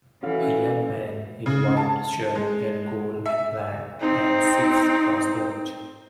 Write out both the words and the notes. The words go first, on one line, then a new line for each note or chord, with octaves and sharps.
A young man in a white shirt and gold and black hat sits cross legged.
E3 C#4 F#4 A4 F5
C#3
A5
G#3
E5
C4 D#4